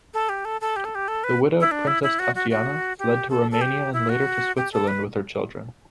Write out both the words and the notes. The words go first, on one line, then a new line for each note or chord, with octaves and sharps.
The widowed Princess Tatiana fled to Romania and later to Switzerland with her children.
A4
G4
A4
A4
G4
A4
G4
A4
B4
E4
D4
E4
E4
F#4
F#4
F#4
G4
A4
A4
G4
E4
F#4
G4
A4
B4